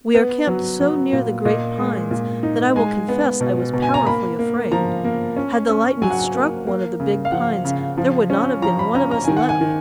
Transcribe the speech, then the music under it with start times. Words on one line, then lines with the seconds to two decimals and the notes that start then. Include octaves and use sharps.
We are camped so near the great pines that I will confess I was powerfully afraid. Had the lightning struck one of the big pines there would not have been one of us left.
0.14 B3 B4
0.47 F#3
0.81 F#3
1.13 A#2
1.45 A#2 D#5
1.78 G#3
2.11 A#2
2.43 D#4
2.76 G#3 G#5
3.08 B3
3.41 B2
3.73 B2
3.82 G#5
3.94 A#5
4.06 A#3 B5
4.39 A#3
4.71 F3 A#5
5.04 A#3
5.37 C#4
5.69 C#4
6.02 F#3 G#5
6.10 F#5
6.19 G#5
6.34 A#3
6.67 A#3
7.00 C#3
7.25 F5
7.32 F3 F#5
7.65 C#3
7.97 F3
8.30 C#4
8.62 F3 A#5
8.79 B5
8.95 C#4 A#5
9.11 A#5
9.24 D#3 G#5
9.37 F#5
9.49 G#5
9.61 D#3